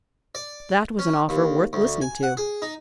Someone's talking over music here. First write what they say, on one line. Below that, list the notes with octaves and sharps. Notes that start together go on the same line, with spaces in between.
That was an offer worth listening to.
D5
C#4
D#2
D2
G#5
F#5
G#4
D#4